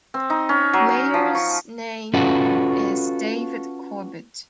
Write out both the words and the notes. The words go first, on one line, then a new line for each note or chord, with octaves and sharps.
Mayors name is David Corbitt.
C4
D#4
C#4
F#3
F3
C#6
C#4 F4 F#4 A4 B4